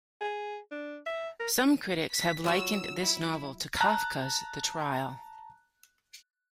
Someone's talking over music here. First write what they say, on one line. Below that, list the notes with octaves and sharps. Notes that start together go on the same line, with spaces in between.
Some critics have likened this novel to Kafka's "The Trial".
G#4
D4
E5
A#4
B6
F#3 F4 F#4 E6
E4
A5 A#5 F#6